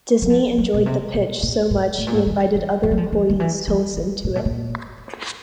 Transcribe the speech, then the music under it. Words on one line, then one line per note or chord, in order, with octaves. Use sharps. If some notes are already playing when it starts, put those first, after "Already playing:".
Disney enjoyed the pitch so much he invited other employees to listen to it.
F#3
F3
F#3
B2
C3
B2
A#2
A2
A2
A#2
A2
D#3
E3
F3
F#3
F3
F3
D#3
E3
F3
D#3
A#2
B2
A#2